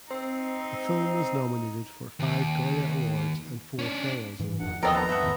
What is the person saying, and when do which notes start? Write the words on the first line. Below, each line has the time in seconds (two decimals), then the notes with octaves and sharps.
The film was nominated for five Goya Awards and four Feroz Awards.
0.10 C4 D#4
2.20 D#2
3.79 C#4 D4
4.39 G#2 E3
4.60 D#1 F2 D4 F#5
4.83 D#2 F3 B3 C4 A4 A#4 D5 D#5
4.95 B3 D4 A#5 C#6 E6
5.09 G2 A3 E5 F#5
5.22 E2 A2 D#3